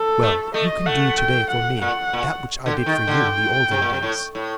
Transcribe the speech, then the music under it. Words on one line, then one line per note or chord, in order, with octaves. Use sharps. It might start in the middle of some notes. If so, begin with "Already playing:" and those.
"Well, you can do to-day for me that which I did for you in the olden days."
Already playing: A4
A3
A3 D#5
A3 F#5
G5
F#5
A#2 F#5
A#2
D3
G5
D#3
D3
C3
A#2
C3
A2
A2